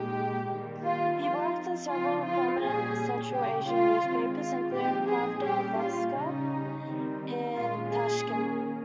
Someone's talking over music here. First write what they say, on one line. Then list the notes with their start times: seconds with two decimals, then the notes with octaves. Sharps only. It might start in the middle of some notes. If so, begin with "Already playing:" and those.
He worked in several prominent Central Asian newspapers, including "Pravda Vostoka" in Tashkent.
Already playing: A#2 G#3 D#4 G4
0.48 D#3 G3 A#3
0.83 F4
1.18 F3 C4 D#4 F4
1.89 C#3 F3 C4 D#4 F4
2.24 F4
2.60 A#2 G3 C#4 G#4
3.30 C#3 G3 C#4 G4
3.66 F4
4.01 D#3 G#3 C4
4.36 F4
4.72 A#2 F3 G#3 C4 D#4 G4
5.07 G#4
5.42 A#2 G3 C#4 G4
5.77 F4
6.13 C#3 G3 C#4 D#4
6.84 D#3 G3 C4 D#4
7.54 A#2 G#3 C#4 F4
7.89 G#4
8.24 D#3 A#3 C#4